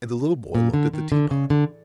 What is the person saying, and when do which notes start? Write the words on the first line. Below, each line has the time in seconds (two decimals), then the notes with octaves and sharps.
And the little boy looked at the tea-pot.
0.55 A#2
0.74 D3
0.93 D#3
1.12 D3
1.31 C#3
1.50 D3